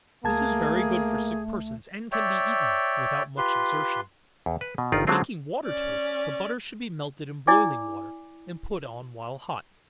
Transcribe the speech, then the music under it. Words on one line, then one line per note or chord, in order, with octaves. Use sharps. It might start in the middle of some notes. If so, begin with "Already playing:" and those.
This is very good for sick persons, and can be eaten without much exertion. In making water-toast, the butter should be melted in boiling water, and put on while hot.
C#2 A3 A#3 G#4 A5 G#6
C#5 D5 E5 G5
F4 G4 B4 C6
E2
B4
B2
G1 D#3 D#4 F4 D5
D3 F#3 G#3 A3 C4 F4
C#4 D5
E4 D5 G#5 D6